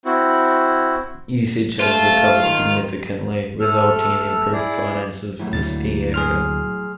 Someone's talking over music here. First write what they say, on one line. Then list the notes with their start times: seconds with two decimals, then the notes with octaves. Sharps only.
Usage has recovered significantly resulting in improved finances for the ski area.
0.05 C4 E4 F#4
1.81 A3 F4 A5
2.42 D#3 F6
3.60 A3 A4 E6 F6
4.53 E4 G#4 D5
5.40 A2 E3 F#3
5.53 D2 A#2 A6
6.14 G#4 C6 F6